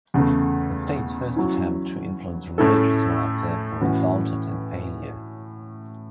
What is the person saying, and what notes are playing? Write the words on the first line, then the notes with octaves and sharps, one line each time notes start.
The state's first attempt to influence religious life therefore resulted in failure.
E2 C#3 A3
F#3 C#4 E4
A2 A3 C#4 E4 A4
A2 E3 C#4 F#4 B4